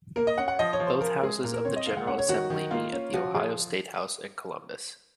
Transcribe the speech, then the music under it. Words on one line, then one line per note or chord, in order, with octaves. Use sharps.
Both houses of the General Assembly meet at the Ohio Statehouse in Columbus.
A#3 A#4
D#5
C#4 F#5
F#5
F3 D#5
C#5
F3
C5
F3 A#4
G#3 G#4
A#2 A#4
A#4
C4 C#5
D#5
G#3 F5
F#5
C#4 F#5
C#5
D#3 F#4
D#3
A#3 F4
C#4
F3 F#4
F3 G#4